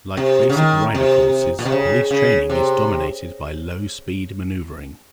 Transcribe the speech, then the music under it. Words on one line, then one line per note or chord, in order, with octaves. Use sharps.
Like basic rider courses, police training is dominated by low-speed maneuvering.
C3
C#3
D#3
C3
A#2
C3
C#3
C#3
C3